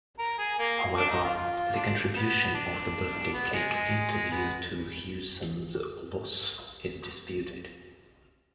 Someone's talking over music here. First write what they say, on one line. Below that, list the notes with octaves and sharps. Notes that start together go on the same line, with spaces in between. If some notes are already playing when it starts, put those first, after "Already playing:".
However, the contribution of the birthday cake interview to Hewson's loss is disputed.
A#4
G#4
A#3
D4
D#4
F4
F4
D4
B3
D4
B3
G#3
G#3
G#3
B3